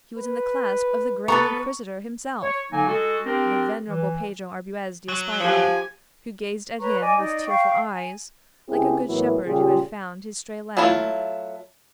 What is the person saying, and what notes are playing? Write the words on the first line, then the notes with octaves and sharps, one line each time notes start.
He was in the clasp of the Grand Inquisitor himself, the venerable Pedro Arbuez d'Espila, who gazed at him with tearful eyes, like a good shepherd who had found his stray lamb.
B4
B3 A4 B4 A#5 C#6
C#5
D3 F#3 A#3 D#4 G#5
G#3 F#4 A4
C4 D4 G4 A#4
E3
F#3
F3 G4 G#5
B4 C#5 A#5 C#6
D5 D#5 G#5 D6
D#4 D5 D#5
F5 G5 C#6
G#5
C#2 C4 E4 G4 G#4
A2 E3 F#3 A#3 B3 E4
A#2 C#3 G3 F4 G4 G#4
F#3 A3 E4 F4